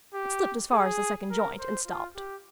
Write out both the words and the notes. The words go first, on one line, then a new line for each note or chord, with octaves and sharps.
It slipped as far as the second joint and stopped.
G4
G#4
A#4
C5
F4
G4